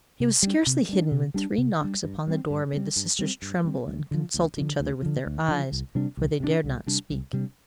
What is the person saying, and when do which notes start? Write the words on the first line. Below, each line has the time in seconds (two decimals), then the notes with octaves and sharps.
He was scarcely hidden when three knocks upon the door made the sisters tremble and consult each other with their eyes, for they dared not speak.
0.20 C3
0.43 G3 D4
0.67 C3
0.89 G3 D4
1.12 C3
1.34 G3 D4
1.58 C3
1.81 G3 D4
2.04 G2
2.27 G3 C4
2.50 G2
2.73 G3 C4
2.96 G2
3.19 G3 C4
3.42 G2
3.64 G3 C4
3.88 D2
4.11 D3 F3
4.34 D2
4.57 D3 F3
4.80 D2
5.02 D3 F3
5.26 D2
5.48 D3 F3
5.72 C2
5.95 C3 G3 D4
6.17 C2
6.40 C3 G3 D4
6.64 C2
6.86 C3 G3 D4
7.10 C2
7.33 C3 G3 D4